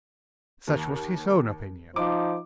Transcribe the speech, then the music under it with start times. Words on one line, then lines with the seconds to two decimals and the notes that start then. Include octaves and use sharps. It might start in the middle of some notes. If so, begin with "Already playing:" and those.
Such was his own opinion.
0.67 D#2 F7
1.96 F3 D#4 C5 D6